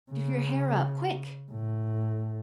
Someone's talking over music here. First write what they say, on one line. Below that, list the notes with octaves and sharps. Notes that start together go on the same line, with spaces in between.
"Do your hair up--quick!"
C#3
A2